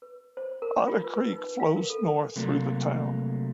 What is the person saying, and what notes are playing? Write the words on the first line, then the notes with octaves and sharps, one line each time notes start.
Otter Creek flows north through the town.
B4
C5
A#4
F4
B4
B4
D#4
F5
A#4
A4
C3 F#3 G3 A3 A#3